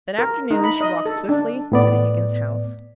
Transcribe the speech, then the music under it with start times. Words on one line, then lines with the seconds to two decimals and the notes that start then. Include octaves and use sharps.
That afternoon she walked swiftly to the Higgins's house.
0.19 A#4
0.51 D#4
0.64 B5
0.81 D#5
1.06 A4
1.29 D4
1.72 A2 B3 D5